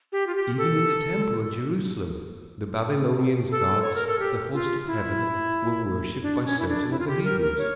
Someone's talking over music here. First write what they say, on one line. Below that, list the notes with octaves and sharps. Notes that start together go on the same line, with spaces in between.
Even in the temple at Jerusalem the Babylonians' gods, the host of heaven, were worshipped by certain of the Hebrews.
G4
F4
G4
A4
A4
C#5
A#4
A4
G4
F4
E4
D4
D4
C#4
E4
D4
E4
F4
G4
A#4
A#4
C#5